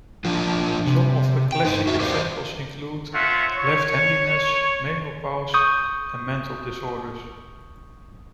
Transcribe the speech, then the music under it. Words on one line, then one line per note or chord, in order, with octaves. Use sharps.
Some of the classic examples include: left handedness, menopause, and mental disorders.
F3 D4 F4
C3
G5
D#4 C5
F#4 E5
G4 A#4 C5 D5 F5
A3 C4 F4 C#5 E5 F#5
C#5
C#6 D#6 G6